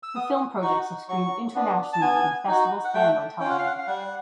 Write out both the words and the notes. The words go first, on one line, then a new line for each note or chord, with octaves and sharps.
Her film projects have screened internationally in festivals and on television.
E6
B3 D#6
D#4 F#4 C#6
F#3 C#6
B3 D4
A5
B3 G#5
D#4 F#4
F#5
A3 G5
C#4 F4 G5
F#5
F5
F#5
F5
G3 F#5